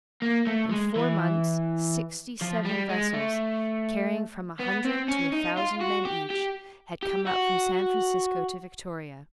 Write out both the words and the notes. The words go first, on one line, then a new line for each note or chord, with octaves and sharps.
In four months sixty-seven vessels, carrying from a hundred to a thousand men each, had come up from San Francisco to Victoria.
A#3
A3
G#3
E3
F3
G3
G#3
A3
B3
C4
C#4
D#4
F4
F#4
G4
G4
G4
F#4